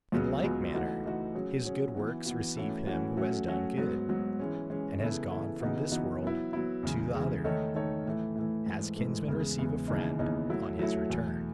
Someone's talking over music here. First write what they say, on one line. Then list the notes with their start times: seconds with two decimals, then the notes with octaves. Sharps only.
In like manner his good works receive him who has done good, and has gone from this world to the other;--as kinsmen receive a friend on his return.
0.12 C#2 C#3 F#3 B3
0.42 C#2 C#3 F#3 B3
0.73 E3 A3 D#4 F#4
1.04 E3 A3 D#4 F#4
1.35 F#3 C#4 G#4
1.64 F#3 C#4 G#4
1.95 E3 B3 F#4
2.26 E3 B3 F#4
2.57 E3 A3 C#4 F#4
2.87 E3 A3 C#4 F#4
3.17 F#3 A3 C#4 F#4
3.47 F#3 A3 C#4 F#4
3.78 G#2 F#3 B3
4.09 G#2 F#3 B3
4.39 E3 G#3 C#4
4.70 E3 G#3 C#4
5.00 C#3 E3 B3 E4 A4
5.30 C#3 E3 B3 E4 A4
5.61 C#3 E3 B3 D#4 F#4
5.92 C#3 E3 B3 D#4 F#4
6.22 F#3 B3 E4
6.53 F#3 B3 E4
6.83 E2 C#3 G#3
7.14 E2 C#3 G#3
7.44 D#3 A3 D#4 A4 C#5
7.74 D#3 A3 D#4 A4 C#5
8.06 A2 E3 A3
8.35 A2 E3 A3
8.66 G#2 E3 A3
8.97 G#2 E3 A3
9.28 E2 C#3 G#3 B3
9.58 E2 C#3 G#3 B3
9.88 D#2 C#3 E3 B3 D#4
10.19 D#2 C#3 E3 B3 D#4
10.50 F#3 A3 E4
10.79 F#3 A3 E4
11.10 E2 B2 A3